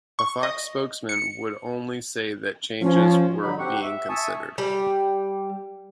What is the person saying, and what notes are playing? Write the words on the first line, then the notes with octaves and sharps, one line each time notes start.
A Fox spokesman would only say that changes were being considered.
C#6
D#5
C#7
F3 C#4
D3 F#3 D#4 B5
C4 G4 F#5 C#6
E5
E5 G#5 A5 C#6 D#6 E6
G3